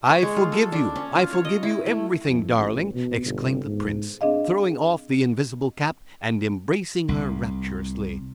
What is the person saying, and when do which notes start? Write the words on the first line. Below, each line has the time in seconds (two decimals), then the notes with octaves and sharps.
"I forgive you, I forgive you everything, darling!" exclaimed the prince throwing off the invisible cap, and embracing her rapturously.
0.10 C#5
0.23 G#3
0.36 F4
0.52 A4
0.72 D4
0.96 C#4
1.15 F4
1.33 C#5
1.45 D#5
1.63 E4
1.86 A3
2.27 F2
2.56 A1
2.94 B2
3.25 G1
3.64 G#2
4.21 C4 D4 G#4 D#5 F5
7.09 C2